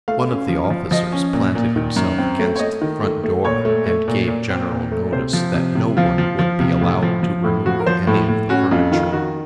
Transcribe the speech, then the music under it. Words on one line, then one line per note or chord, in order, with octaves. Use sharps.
One of the officers planted himself against the front door, and gave general notice that no one would be allowed to remove any of the furniture.
A3 F5
C#4
F3
F3
F3 D#5
C#4
A#2
A#2
D#3
F#2
C4
A3
C#5
A3 D#5
D#3
A3
A3
A#2 C#5
A3
A3
A#2
A#2
C4
A#2
A3
C3 C5
F3
C3
C3
F3 F4
F3
F3
C3
A2
F3
F3
A2
F3 F#4
A#4
F3 C5
A2 A4
A2
C#4 F#4
F2 F4
D#3 F4
D#3 F#4